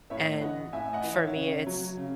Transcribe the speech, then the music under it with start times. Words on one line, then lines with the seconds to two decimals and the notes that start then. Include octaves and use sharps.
and for me, it's
0.10 A2 C#5 E5
0.41 E3 D#5 F#5
0.73 A2 E5 G#5
0.93 D#5 F#5
1.04 E3
1.14 C#5 E5
1.35 C#3
1.67 F#3
1.97 C#3